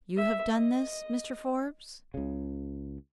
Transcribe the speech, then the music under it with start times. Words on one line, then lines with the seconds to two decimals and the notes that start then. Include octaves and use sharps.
"You have done this, Mr. Forbes?"
0.17 E5
0.54 D#5
2.14 C#2 C#3